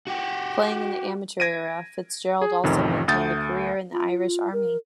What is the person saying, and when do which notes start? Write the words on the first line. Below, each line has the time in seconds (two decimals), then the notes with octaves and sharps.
Playing in the amateur era, Fitzgerald also maintained a career in the Irish Army.
0.07 F#4 G4
1.40 G#6 A#6 D7 D#7
2.42 G#4
2.64 A1 F2 C3 D#3
3.08 D2 A3 D#6 G6 A6
3.93 F4
4.53 A#4